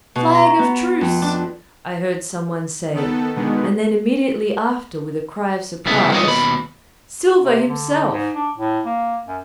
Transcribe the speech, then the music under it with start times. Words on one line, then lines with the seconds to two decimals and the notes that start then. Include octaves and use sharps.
"Flag of truce!" I heard someone say; and then, immediately after, with a cry of surprise, "Silver himself!"
0.15 B2
0.34 A#5
0.59 B3
1.01 F2
1.22 D4
2.94 D#3 B3 A4
3.36 B2 D3 D#3 G#3 B3
5.86 C2 C#3 B3 E5
6.12 G3 F4 B4 C#5 D#5
6.27 D#2 B2 B5
7.43 C3
7.68 D3
8.12 G#2
8.35 D4
8.58 A2
8.85 A#3
9.28 F#2